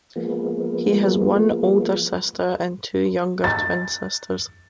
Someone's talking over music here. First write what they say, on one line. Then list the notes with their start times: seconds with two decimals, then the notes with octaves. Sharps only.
He has one older sister and two younger twin sisters.
0.16 F3 G#3 A#3 B3
3.44 A6